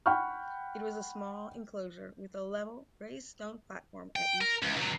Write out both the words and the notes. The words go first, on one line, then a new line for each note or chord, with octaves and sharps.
It was a small enclosure with a level, raised stone platform at each end.
F#5 G5 B5 C#6 F6
G5
A#4
C#2
C#2 F#3